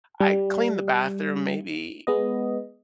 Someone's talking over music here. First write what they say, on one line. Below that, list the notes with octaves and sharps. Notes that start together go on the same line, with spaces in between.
I clean the bathroom maybe,
G3
G#3 B3 D#5